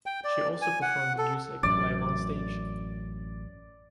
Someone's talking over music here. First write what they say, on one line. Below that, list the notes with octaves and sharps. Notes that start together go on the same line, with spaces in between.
She also performed the music live on stage.
G5
D5
G#5
F#5
A4
A1 F#2 D5